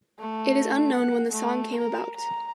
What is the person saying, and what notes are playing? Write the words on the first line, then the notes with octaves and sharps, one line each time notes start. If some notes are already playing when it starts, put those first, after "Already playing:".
It is unknown when the song came about.
A3
F#5
A3
A#4
A#5